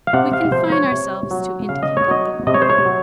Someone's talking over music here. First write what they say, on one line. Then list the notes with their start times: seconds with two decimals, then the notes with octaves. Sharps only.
We confine ourselves to indicating them.
0.07 F5
0.13 C3 F#5
0.33 F5
0.52 F3 C5
0.72 C#5
0.92 C3
1.31 F#3
1.69 C#3 F5
1.83 D#5
1.97 C#5
2.08 F#3 D#5
2.47 C3 D#5
2.54 C#5
2.62 C5
2.70 C#5
2.85 F#3